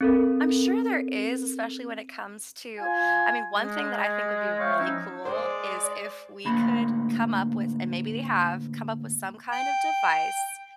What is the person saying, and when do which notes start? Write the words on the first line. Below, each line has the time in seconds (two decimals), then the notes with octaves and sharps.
I'm sure there is, especially when it comes to I mean, one thing that I think would be really cool, is if we could come up with- and maybe they have- come up with some kind of device
0.01 C4 A4 A#4
2.79 F4 F5 G#5
3.55 G#3
4.59 C#5 E5 F5 G5 C#6
4.78 F3 C#4 D#4 E4
5.25 G#3 C5 D5
6.45 D2 A2 A#3 B5 C6
9.51 G5